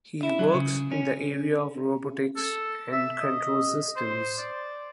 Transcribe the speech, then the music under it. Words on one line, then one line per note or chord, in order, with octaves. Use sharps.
He works in the area of Robotics and Control Systems.
E4
F#3
C#3
C#4
A4
E5
D#5
C5
D5